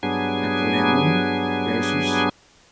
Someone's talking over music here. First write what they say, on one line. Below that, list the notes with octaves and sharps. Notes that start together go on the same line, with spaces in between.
Napoleon vs.
G2 F#3 B3 D4 G#4 G#5